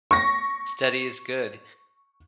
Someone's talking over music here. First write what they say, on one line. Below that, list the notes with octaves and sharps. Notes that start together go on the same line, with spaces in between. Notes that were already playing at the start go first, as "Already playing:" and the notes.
Steady is good.
C#6 A#6